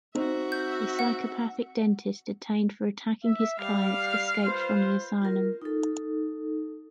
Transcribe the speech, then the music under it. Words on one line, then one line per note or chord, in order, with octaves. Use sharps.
A psychopathic dentist detained for attacking his clients escapes from the asylum.
C4 D#4 F#4 C5 E5
G6
F#5
E5
G3 F5
F4 B4 C5
F4 A#4
D#4 A4